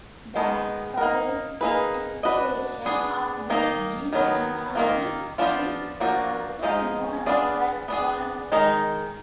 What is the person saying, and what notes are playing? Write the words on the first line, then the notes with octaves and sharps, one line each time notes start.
The probabilistic expectation of this gene genealogy is also known as the coalescent.
D#3 G#3 B3
A#3 D#4 A#4
A#3 D#4 G#4 B4
D4 F#4 B4 D#5
B3 D4 G#4
D#3 A#3 D#4
D#3 F#3 B3
D#3 A#3 F4
F3 B3 D4 F4
F3 A#3 D4 F#4
F3 G#3 D#4
B3 D4 F4 G#4 D5
B3 D4 G#4
D#3 G#3 D#4